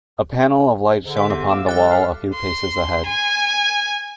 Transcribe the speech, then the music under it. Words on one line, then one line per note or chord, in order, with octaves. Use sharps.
A panel of light shone upon the wall a few paces ahead.
G#2 D3
F#5
B3 G4
F4 D6 E6
A2 G3 A4 D6 F#6 A6
A4 E5 F5
C6
G#5